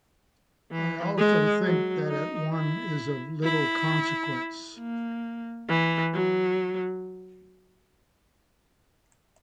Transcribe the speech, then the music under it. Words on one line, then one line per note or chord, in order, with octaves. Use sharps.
I also think that it won is of little consequence.
E3
G#3
F#3
D#4
E4
E4
A#3
E3
F#3